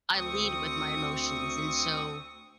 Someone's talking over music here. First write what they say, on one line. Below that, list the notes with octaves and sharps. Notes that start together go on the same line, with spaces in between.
I lead with my emotions, and so,
D2 C4 C#6 D#6